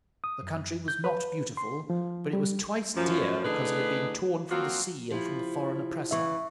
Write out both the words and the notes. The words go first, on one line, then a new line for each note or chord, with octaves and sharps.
The country was not beautiful, but it was twice dear because it had been torn from the sea and from the foreign oppressor.
D#6
F#2
G6
B4
C6
F3
G3
F#2 F3
A2 D3 D#4 G#4 B4
F3 F#3 A#3 C4 F4 F#4
F3 E4 G4
C#3 E3 E5 C#6